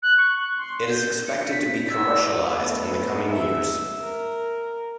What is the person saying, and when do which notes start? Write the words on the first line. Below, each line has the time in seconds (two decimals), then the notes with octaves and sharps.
It is expected to be commercialised in the coming years.
0.02 F#6
0.17 C#6
0.57 C6
0.90 G6
1.27 C#7
1.51 B6
1.90 E6
2.48 A3 B3
3.28 E5
4.00 A#4